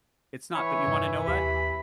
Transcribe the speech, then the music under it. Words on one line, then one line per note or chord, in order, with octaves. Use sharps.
It's not, but, you wanna know what?
E3 C#5 B5
E2 G2 C3
D#2 G4 B5